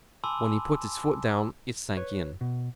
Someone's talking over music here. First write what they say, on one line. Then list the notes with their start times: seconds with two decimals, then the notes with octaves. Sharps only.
When he put his foot down it sank in.
0.24 G#5 A5 B5 C6 D6 E6
1.97 B4 C#5
2.41 B2